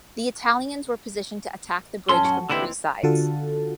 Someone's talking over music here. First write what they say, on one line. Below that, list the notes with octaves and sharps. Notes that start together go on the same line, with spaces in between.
The Italians were positioned to attack the bridge from three sides.
F#2 C#4 A4 C6
F#4
D#2 D3 E3 C4 E4 G4
D3 F4 F#4 A4